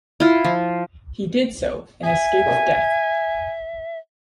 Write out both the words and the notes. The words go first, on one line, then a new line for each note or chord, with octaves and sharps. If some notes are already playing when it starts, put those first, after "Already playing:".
He did so, and escaped death.
E4 F4
F3
E5 G#5